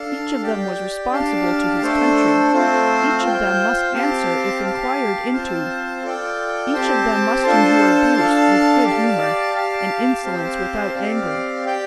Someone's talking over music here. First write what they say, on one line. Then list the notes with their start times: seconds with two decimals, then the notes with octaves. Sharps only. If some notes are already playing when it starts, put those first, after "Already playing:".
Each of them was responsible to his country, each of them must answer if inquired into, each of them must endure abuse with good humour, and insolence without anger.
Already playing: D4 A4 F5 A5
0.42 G4 D5 G5
1.12 D4 G4 F5 A5
1.82 A3 D4 A4 C5
2.52 A3 C4 F4 C5
3.22 F4 C5 G5
3.92 C4 G4 F5 A5
4.63 G4 F5 A5
5.33 C4 F4 C5 A5
6.03 F4 A4 D5 G5
6.74 C4 G4 C5 A5
7.43 D4 F4 A4 C5 A5
8.13 D4 A4 F5 A5
8.84 G4 D5 F5 A5
9.54 G4 F5 A5
10.24 C4 G4 C5 F5 A5
10.94 C4 G4 D5 F5
11.65 G4 D5 G5